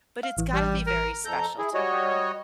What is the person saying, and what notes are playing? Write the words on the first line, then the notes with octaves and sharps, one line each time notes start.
But it's gotta be very special to her
F5
A1 E3
G3
A#4
F2 A4 A#5 G6
E4 G#4
G3 F#4 C#5 D#5